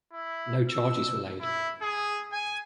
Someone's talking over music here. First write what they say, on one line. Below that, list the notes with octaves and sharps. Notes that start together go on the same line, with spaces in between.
No charges were laid.
E4
E6
E4
G#4
G#5